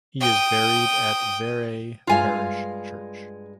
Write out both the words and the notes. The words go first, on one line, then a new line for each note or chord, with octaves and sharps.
He is buried at Vere Parish Church.
G5 D#6
G2 G#3 F4 F5 G#5